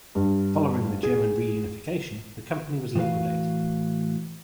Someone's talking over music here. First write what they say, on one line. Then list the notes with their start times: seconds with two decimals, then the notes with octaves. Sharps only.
Following the German reunification, the company was liquidated.
0.15 G2
1.03 G#4
2.96 A2 E3 F#4 B4 F5